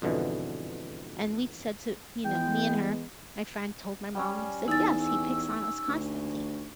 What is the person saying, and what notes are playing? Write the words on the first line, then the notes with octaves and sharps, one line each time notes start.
And we'd said to, you know, me and her, my friend told my mom, said, "Yes, he picks on us constantly."
F2 G#2 B2 D3 E3
E3 G#3 B3 G5
G3 C#4
E2 D#4 G#5 E6 A6
D2